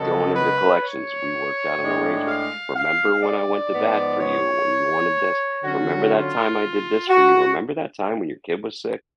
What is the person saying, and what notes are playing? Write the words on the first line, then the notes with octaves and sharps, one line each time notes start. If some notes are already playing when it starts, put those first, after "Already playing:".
going into collections, we worked out an arrangement. Remember when I went to bat for you when you wanted this? Remember that time I did this for you? Remember that time when your kid was sick
Already playing: F#2 C#3 G#3 B3 A4
B4
C#5
A2 G#3 D4
F5
F5
D5
G#2 F3 B3
C#5
D3 F#3 C#4 F#4
F4
F#4